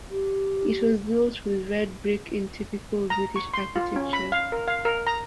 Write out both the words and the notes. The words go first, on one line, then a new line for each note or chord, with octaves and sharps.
It was built with red brick in typical British Architecture.
G4
A#5
C#6
C6
F4
C#4
B5
F5
A#4
F5
A#4
A#5